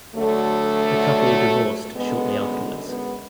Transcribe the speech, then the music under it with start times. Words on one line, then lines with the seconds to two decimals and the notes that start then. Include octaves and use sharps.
The couple divorced shortly afterwards.
0.16 D2 D3 F#3 A3
1.96 F#2 D3 G#3 B3
2.86 G#3 B3